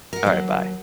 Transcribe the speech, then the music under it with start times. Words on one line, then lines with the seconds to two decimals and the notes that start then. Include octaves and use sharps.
Alright, bye.
0.13 A#4 F#5
0.25 D#2 F#3